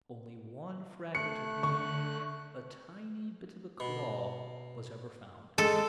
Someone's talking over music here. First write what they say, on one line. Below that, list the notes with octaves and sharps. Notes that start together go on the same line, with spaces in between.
Only one fragment of him, a tiny bit of a claw, was ever found.
A3 F#6 C#7
D3 C#6
B2
G#3 A4